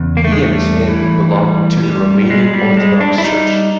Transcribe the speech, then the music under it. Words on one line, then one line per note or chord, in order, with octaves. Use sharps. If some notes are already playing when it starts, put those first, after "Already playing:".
He and his family belong to the Romanian Orthodox Church.
Already playing: E2 C#3
A#3
A3
G#3
G3 A3
E3
G3
G3
G3 G#3
G3
G3 G#3
D4
E4
G3 D#4